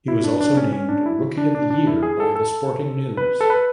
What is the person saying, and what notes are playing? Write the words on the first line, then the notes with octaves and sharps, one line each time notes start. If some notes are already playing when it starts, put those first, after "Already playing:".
He was also named rookie of the year by the "Sporting News".
E4
D4
D4
C#4
C#4
D4
E4
D4
D4
D4
E4
G#4
A4
A4
B4
A4
B4